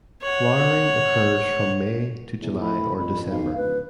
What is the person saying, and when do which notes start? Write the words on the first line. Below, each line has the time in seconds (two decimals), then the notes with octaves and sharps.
Flowering occurs from May to July or December.
0.22 C#5 F#5
2.42 E2
2.61 A2 B5
2.98 F2 B5
3.30 B1 F5
3.56 D1 B4